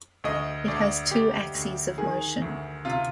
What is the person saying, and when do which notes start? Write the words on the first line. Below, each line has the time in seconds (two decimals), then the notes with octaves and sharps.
It has two axes of motion.
0.24 D2 D#5
0.68 D2 D5
1.11 D2 G4
1.55 D2
1.98 D#3 G#4
2.42 D2
2.85 C3 F4